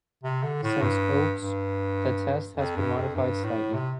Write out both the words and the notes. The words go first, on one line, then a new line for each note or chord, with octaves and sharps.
Since "Oakes", the test has been modified slightly.
C3
D3
A2
G2
G2
F2
G2
F2
G2
A2
C3